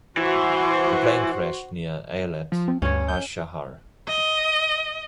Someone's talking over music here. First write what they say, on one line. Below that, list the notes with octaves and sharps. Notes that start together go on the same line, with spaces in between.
The plane crashed near Ayelet HaShahar.
E3 F#4 C5
F3
C4
D2 G2 C#4 C#5
G6
D#5